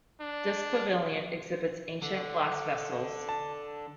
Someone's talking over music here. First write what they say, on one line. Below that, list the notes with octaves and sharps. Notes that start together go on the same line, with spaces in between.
This pavilion exhibits ancient glass vessels.
D4
D3
A5